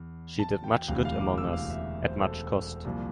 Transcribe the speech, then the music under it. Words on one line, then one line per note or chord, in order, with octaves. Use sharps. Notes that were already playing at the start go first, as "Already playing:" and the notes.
She did much good among us at much cost.
Already playing: E2
A5
G5
E1 D2 C3 E3 F5
F5
D6
E6
F5
E5
C5
A4
C2 A#2 F3